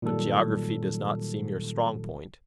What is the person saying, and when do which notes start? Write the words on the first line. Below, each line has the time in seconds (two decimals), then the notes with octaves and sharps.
"But geography does not seem your strong point."
0.02 A#2 D#3 F#3 G3 A4